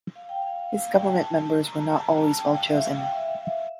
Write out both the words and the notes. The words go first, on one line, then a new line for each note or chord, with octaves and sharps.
His government members were not always well-chosen.
F5
G5
F5
G5
A5
A#5
A5
A#5
A5
A5
G5
F5
E5
F5
G5
E5
F5
E5